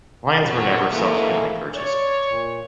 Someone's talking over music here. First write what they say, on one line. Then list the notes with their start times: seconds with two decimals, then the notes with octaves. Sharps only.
Lions were never subsequently purchased.
0.43 F2 A#2 F3 F#3 F#4
0.91 G#2 B2 E3 A3 A#3
1.75 C#5 D5
2.28 A#2